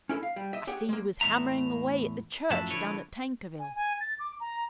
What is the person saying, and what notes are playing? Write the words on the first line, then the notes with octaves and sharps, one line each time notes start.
"I see you was hammering away at the Church down at Tankerville."
C#4 E4 G4 A4
F5
G3
D#5 E5
G4 G#4 C#5 F#5
G#3 A#3
E2 A2 E5 A#5
F#2 A2 F3 F#4 E5 A5
D3 F3 E4 A4 B4 C#5
G#5
G#5
A6
D6
A#5